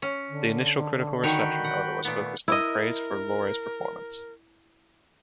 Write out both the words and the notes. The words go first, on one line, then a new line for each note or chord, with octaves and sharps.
The initial critical reception, however, was focused on praise for Lorre's performance.
C#4
D3
D#3 F#4 C#5 G5 B5
F#5
A#2 A3 B3 B4
E4 A#4 D#5